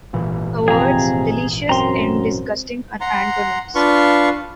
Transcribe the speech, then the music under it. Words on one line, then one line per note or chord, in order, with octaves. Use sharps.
The words delicious and disgusting are antonyms.
G#1 A#2 E3
F2 C3 G#4 A#5
F#2 C4 A#5 C6
F#5 A#5 C6
D4 F4 B4 F5 C6 C#6